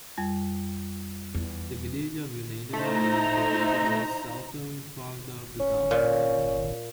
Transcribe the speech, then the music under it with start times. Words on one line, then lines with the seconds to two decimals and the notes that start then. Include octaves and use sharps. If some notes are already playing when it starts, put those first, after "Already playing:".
The Village of Unadilla is located in the southern part of the town.
0.18 F2 G3
1.34 E2
2.73 A3 D#4 E4 C5 A#5
5.60 C#4
5.91 A#2